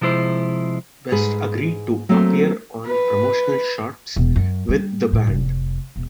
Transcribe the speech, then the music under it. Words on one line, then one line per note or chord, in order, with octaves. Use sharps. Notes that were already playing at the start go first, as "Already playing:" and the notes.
Best agreed to appear on promotional shots with the band.
C3 F3 G#3 E4 C5
G#2 G#4 B4
F#3 A3 A#3 C4 A4 C5
B4
E1
F#2
G3
A2
F1
E1